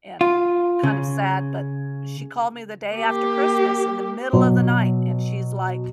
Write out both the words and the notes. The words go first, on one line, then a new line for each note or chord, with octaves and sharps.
and kind of sad, but, she called me the day after Christmas in the middle of the night and she's like,
F4
C#3
A#3 G4
B2 F#3